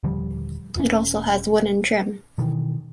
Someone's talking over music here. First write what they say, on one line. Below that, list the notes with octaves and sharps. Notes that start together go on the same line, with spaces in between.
It also has wooden trim.
D#1 D3 F3 G3
E1 C#4
B2 D#3 E3